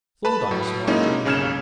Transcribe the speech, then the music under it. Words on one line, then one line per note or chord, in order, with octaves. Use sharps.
Thorndyke smiled genially.
B4 A5 B5
A2 F#3
F#3 G#3 A#3 C#4 D#4 E4
B1 C#3 C#4 F6 G#6 E7